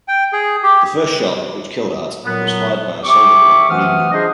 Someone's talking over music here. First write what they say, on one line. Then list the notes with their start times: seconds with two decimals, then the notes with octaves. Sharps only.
The first shot, which killed Art, was fired by a soldier called Green.
0.08 G5
0.33 G#4
0.63 G4
2.24 A#2 F#3 B3
3.04 G4 E5 C#6 D6
3.69 C3 E3 A3 F#5 D#6 F6
4.12 F3 D4 G#4 C5 D#5